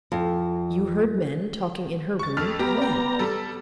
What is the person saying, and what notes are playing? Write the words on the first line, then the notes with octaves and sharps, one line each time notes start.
"You heard men talking in her room--when?"
F2
C#6 A6
F2 A4 F6
B3 G4 A#5
D5 G5
G3 A4